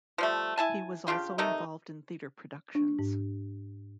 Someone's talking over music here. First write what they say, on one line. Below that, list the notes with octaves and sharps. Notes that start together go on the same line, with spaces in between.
He was also involved in theater productions.
F3 G3 A3
E4 G#5 A5
C#3 D4 F4 G4
C3 D#3 A3 D#4
D4
G#2